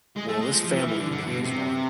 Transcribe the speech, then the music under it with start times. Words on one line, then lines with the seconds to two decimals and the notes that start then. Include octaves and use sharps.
Will this family unite as one?
0.16 G#3
0.28 A3
0.41 G#3
0.52 F3
0.64 F3
0.76 E3
0.88 E3
0.99 D3
1.11 D3
1.27 B2
1.43 C3